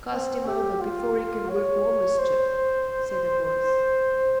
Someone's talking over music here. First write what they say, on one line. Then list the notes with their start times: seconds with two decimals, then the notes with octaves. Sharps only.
"Cast him over before he can work more mischief," said a voice.
0.12 C4
0.46 G4
0.81 F4
1.49 C#5
2.19 C5